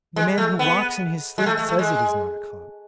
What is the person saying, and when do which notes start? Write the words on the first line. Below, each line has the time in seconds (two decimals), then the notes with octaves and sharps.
The man who walks in his sleep says it is not a club.
0.16 G#3
0.38 A3
0.59 B3
1.38 G#3
1.46 A3
1.57 A3
1.69 A3
1.79 G#3